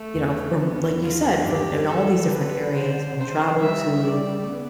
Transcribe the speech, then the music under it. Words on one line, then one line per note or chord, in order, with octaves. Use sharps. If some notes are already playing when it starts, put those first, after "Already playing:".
you know, from like you said, from in all these different areas, from travel to,
Already playing: A3
E2
B3
F4
G2 G4
F3 A4
E3
D3 B4
C5
B2
C3 C5
D3
E3
F3
G3 E5
D5
A3
B3